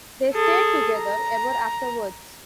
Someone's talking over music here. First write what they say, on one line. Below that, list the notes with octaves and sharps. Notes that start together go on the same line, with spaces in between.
They stayed together ever afterwards.
G#4 A4
A#5